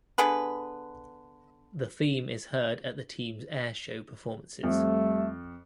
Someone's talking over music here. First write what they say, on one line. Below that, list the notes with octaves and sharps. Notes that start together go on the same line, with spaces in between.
The theme is heard at the team's airshow performances.
D3 B3 G#4 B4
F2 G3 A3